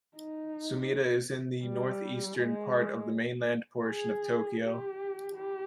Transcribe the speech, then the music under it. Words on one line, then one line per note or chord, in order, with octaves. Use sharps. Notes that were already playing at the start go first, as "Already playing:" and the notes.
Sumida is in the northeastern part of the mainland portion of Tokyo.
D#4
G3
G#3
G#4
G4
G4